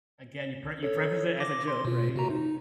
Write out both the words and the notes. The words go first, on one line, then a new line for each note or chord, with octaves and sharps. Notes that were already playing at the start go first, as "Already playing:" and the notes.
Again, you pre you preface it as a joke, right? Yeah.
A4 C#5
D6 A#6
C6
B2 F4
C3 F#4 A#5
D#4